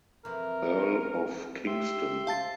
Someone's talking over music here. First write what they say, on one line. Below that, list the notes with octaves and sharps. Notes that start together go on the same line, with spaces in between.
Earl of Kingston.
F2 E3 A#4
G4 E5 C6
C5 F5 A5 A6